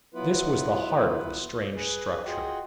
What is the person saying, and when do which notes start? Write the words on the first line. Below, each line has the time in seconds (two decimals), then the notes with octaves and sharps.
This was the heart of the strange structure.
0.14 F#3 B3 E4 F4 B4
1.75 G#4 B4
2.26 F4 F#4 G#4 D#5 F#5 G5